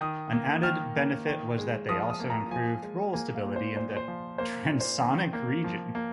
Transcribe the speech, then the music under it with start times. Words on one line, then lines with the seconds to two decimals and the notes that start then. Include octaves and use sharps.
An added benefit was that they also improved roll stability in the transonic region.
0.01 D#3 D#6
0.33 A#3
0.63 D#3 F6
0.96 A#3
1.27 D#3
1.58 G#3
1.89 F3 D#6
2.10 D#6
2.20 A#3
2.30 A#5
2.51 F3 G#5
2.83 G#3
3.14 A#3 G#5
3.35 F5
3.46 A#2
3.56 C5
3.76 A#2 C5
3.96 C5
4.08 F3
4.38 A#3 C5
4.70 A#2
4.81 C5
5.01 D#3
5.33 A#3
5.64 F3
5.95 A#3